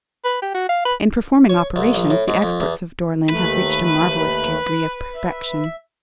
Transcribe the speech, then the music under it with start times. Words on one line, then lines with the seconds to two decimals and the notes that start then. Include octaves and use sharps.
In performing operations, the experts of Dore-lyn have reached a marvelous degree of perfection.
0.24 B4
0.42 G4
0.54 F#4
0.69 F5
0.85 B4
1.49 C#5
1.76 C2
1.95 A#1
2.10 A2
2.28 G#2
2.42 F2
2.61 E2
3.29 D#2 A3 B4
5.16 E5